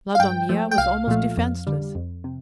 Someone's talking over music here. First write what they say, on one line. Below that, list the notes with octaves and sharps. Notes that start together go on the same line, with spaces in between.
Laudonniere was almost defenceless.
F5
G2 G5
F3 A3
G5
C2 F5
A#2 F3 A3
F2
D3 G3
F2
C3